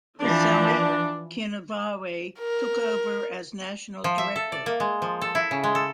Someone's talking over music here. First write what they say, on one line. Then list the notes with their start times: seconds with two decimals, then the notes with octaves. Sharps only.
Peceli Kinivuwai took over as National Director.
0.20 E3 F3 D4
2.40 A#4
4.04 F3
4.18 E5
4.36 A4
4.52 D5
4.66 A#3
4.80 G#3
5.02 F3
5.22 A4
5.35 E4
5.51 C#3
5.64 G#3
5.75 A4